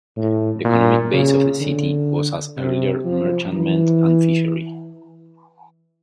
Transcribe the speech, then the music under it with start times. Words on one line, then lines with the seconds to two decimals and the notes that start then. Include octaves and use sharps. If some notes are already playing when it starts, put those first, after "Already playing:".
The economic base of the city was as earlier merchantmen and fishery.
0.17 A2
0.64 A#2
1.13 C#3
1.61 D3
2.57 C3
3.05 F3
3.53 E3